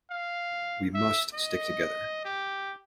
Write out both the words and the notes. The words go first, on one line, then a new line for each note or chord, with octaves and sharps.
We must stick together.
F5
E5
D#5
G4